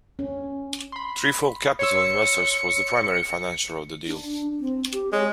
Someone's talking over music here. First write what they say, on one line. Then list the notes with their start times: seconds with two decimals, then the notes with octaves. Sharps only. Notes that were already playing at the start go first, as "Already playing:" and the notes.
Trefoil Capital Investors was the primary financier of the deal.
0.19 C#4
0.92 B5 C6
1.79 C#5 C6 E6 C#7
4.07 D4
4.60 C4
4.93 G4
5.13 G#3 C#5